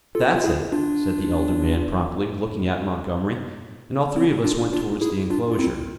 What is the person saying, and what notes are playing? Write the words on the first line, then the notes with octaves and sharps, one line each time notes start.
"That's it," said the elder man, promptly, looking at Montgomery; and all three of us went towards the enclosure.
F4 A4
F4
E4 G#4
D4 F4
C4 E4
D4 F4
D4 F4
E4 G#4
D4 F4
F4
C4 E4